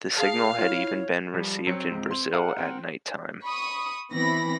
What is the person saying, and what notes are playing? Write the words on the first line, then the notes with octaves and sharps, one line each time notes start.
The signal had even been received in Brazil at night-time.
G#4 F5 A5
E4 F4 C#5 F6
F3 G3
F#3 C4 C#5 C#7
C#2 G#2
C6
G#4 A#4 F5 F#5
C4
B5 C#6 D#6
E3 B3 C4 B5 A#6